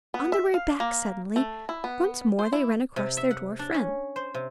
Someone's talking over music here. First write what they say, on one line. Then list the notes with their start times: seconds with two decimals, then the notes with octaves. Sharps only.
On their way back, suddenly, once more they ran across their dwarf friend.
0.14 B3
0.32 E5
0.54 F5
0.80 A#3
1.36 A3
1.69 E4
1.84 B3
2.39 C5
2.53 E4
2.96 C3
3.17 E5
3.31 F#5
3.59 D4
3.74 C#4
4.16 C5
4.34 C3